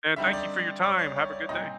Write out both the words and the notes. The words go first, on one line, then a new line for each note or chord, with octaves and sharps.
And thank you for your time. Have a good day.
D3 G3 C4 D#4 E5
D5
C#5
D5
C#5
D5
A#2 G3 C4 D#4 D#5